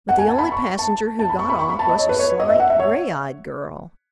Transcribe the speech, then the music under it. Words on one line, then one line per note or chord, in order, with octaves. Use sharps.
But the only passenger who got off was a slight, gray-eyed girl.
F#5
G#5
A5
B5
C#6
A5
A5
B5
C#6
B5
C#6
B5
A5
D#5
C#5
B4
C#5
D#5
E5
F#5
E5
C#5